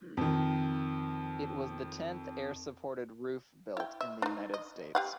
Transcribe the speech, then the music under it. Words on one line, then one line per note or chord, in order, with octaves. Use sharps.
It was the tenth air-supported roof built in the United States.
F2 D#3
E4 G5
E5
D4 D#4
D#5
G4 F5 F#5